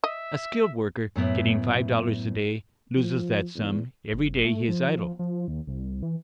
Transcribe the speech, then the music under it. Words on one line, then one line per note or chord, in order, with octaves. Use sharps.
A skilled worker getting five dollars a day loses that sum every day he is idle.
D#5 E5
F#2 A2 B3 E5
F3
E2
F#1
A3
F3
F3
D#2
C2
E3